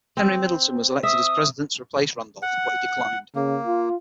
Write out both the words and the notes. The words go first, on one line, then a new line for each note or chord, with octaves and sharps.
Henry Middleton was elected as president to replace Randolph, but he declined.
C4
E5 D#6
F#5
C#3 A#3
F4